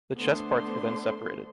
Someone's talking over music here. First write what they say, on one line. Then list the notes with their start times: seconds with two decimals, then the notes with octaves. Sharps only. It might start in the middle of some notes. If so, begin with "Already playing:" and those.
The chess parts were then separated.
0.18 D3 A3 B3 D4 C5 C6